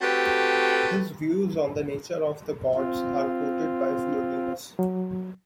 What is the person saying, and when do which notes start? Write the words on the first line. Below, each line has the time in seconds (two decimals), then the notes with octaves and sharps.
His views on the nature of the gods are quoted by Philodemus.
0.02 A3 C4 F#4 G4 A4 B4
2.74 C4 F4
4.79 F#3